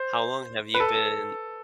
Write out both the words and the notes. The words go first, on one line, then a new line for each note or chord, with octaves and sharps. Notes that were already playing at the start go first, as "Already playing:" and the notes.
How long have you been
Already playing: C5
B4
A4